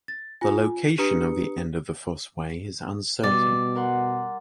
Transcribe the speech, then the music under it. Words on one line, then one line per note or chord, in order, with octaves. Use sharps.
The location of the end of the Fosse Way is uncertai.
A6
F4 G#5
D4 G4 B4 A#5 D#6 C#7
B2 G3 D5
A#4 F#5 C6